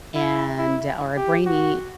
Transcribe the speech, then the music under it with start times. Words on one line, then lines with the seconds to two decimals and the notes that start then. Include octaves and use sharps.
and or Brainy,
0.15 E4
0.58 E4
1.16 G4
1.45 F#4